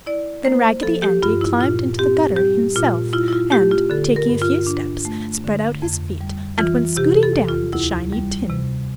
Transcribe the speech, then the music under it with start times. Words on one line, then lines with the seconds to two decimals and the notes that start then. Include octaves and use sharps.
Then Raggedy Andy climbed into the gutter himself and, taking a few steps, spread out his feet and went scooting down the shiny tin.
0.06 E4 D5
0.45 A#3 C5
0.83 F3 A4
1.02 G4
1.23 G2 F4
1.41 E4
1.60 A#2 F4
1.99 C4 G4
2.36 G3 G4
2.75 A#2 F4
3.13 E4 F4
3.28 E4
3.33 F4
3.52 A3 G4
3.71 F4
3.90 D3 A4
4.16 A#4
4.29 G2
4.42 F4
4.67 D4
5.05 A3
5.44 D3
5.82 F2
6.21 G3
6.58 E3 F4
6.97 C3 G4
7.23 A4
7.36 E2
7.49 F4
7.73 D2 E4
8.12 G3
8.50 C3